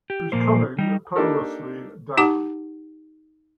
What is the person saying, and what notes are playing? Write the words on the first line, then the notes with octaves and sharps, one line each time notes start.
She was coming perilously down.
G4
A#2 F3 A#3 C5
G3 D#4
A#3 D4 D#4 G4 A4 A#4
D#4 G4 F#5 A5 D6